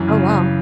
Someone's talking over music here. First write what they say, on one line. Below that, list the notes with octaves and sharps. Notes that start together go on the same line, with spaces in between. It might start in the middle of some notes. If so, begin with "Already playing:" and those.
Oh, wow.
Already playing: F#2 E3
C#3
C#3